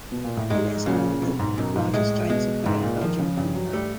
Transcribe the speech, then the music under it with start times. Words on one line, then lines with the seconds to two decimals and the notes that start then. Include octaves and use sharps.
In Esneux, the largest giant sequoia of Belgium can be found.
0.12 B2
0.24 A#2
0.37 A2
0.50 G#2 G#3
0.86 A#2 C#3
1.22 B1 C3
1.39 G#2
1.57 B1 F#2
1.76 G#2
1.94 A2 G#3
2.30 B2 G#3
2.66 C#2 G#2
2.83 A#2
3.01 D#3 F3
3.19 C#3
3.37 G2 C#3
3.55 F#3
3.73 G3 A3